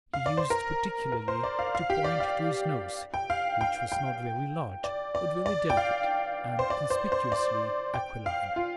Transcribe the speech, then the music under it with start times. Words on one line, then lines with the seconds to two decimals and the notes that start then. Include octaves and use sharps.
He used particularly to point to his nose, which was not very large, but very delicate and conspicuously aquiline.
0.13 F5
0.26 D5
0.37 C5
0.50 A#4
1.12 A#4
1.28 C5
1.44 D5
1.59 F5
1.75 F5
1.90 G4
2.04 D5
2.20 F5
3.14 G5
3.30 F5
3.61 G5
3.92 G5
4.84 D5
5.15 D5
5.46 D5
5.70 G5
5.77 F5
6.59 C5
6.70 D5
6.90 C5
7.12 C5
7.32 D5
7.94 G5
8.26 F5
8.56 F4